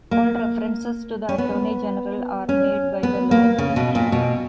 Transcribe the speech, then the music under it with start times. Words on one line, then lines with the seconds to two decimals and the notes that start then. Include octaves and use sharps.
All references to the Attorney General are made by the Law Ministry.
0.11 A#3
1.29 C#4
1.38 B3
2.49 C#4
3.03 B3
3.31 A#3
3.58 C#3
3.76 B2
3.95 A#2
4.12 B2